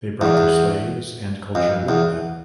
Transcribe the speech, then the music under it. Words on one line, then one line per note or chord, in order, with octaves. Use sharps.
They brought their slaves and culture with them.
E2
F2
E2